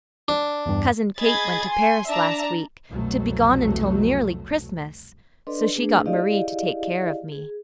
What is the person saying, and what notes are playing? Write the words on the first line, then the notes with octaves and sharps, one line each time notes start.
Cousin Kate went to Paris last week, to be gone until nearly Christmas, so she got Marie to take care of me.
D4
E2 G2
G#4 D#5 B5 G#6 A6
G#5 C6
D4 E5 A5 A#5
C2 F2 B2 F#3 A3
D4 A4 B4 D5 D#5 C6
A3 A#3 D4 G#4 B4
E4 G4 G#4 D5 D#5 F5
G#4